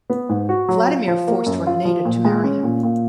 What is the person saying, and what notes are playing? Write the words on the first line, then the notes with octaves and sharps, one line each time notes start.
Vladimir forced Rogneda to marry him.
B3
G#2
F#4
F#3
F4
F3
A#3
F#2
F4
F3
A#2
G#3
C#4
A#2
A#2